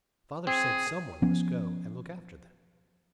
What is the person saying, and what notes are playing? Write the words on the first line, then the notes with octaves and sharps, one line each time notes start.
Father said some one must go and look after them.
C4 G#4
F3 B3 C#4